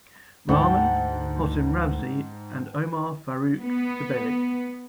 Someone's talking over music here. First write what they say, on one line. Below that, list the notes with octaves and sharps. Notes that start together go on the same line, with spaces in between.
Rahman, Hossam Ramzy and Omar Faruk Tekbilek.
D2 G#2 F#5 G5 A5
B3